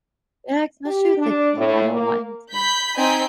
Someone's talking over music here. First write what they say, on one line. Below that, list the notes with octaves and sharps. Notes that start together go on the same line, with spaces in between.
Yeah, especially with a kid. And I don't want him to
G4
D4
A2
A#3
B5 G6 B6
C4 D#4 G#5 G6 B6